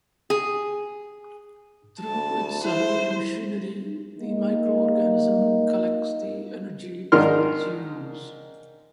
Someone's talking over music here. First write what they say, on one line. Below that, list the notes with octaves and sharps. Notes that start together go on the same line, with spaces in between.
Through its cellular machinery, the microorganism collects the energy for its use.
G#4
D2 A5
E4 C5
A#3 D#4
G#2 D#3 D4 A#4 C6 F6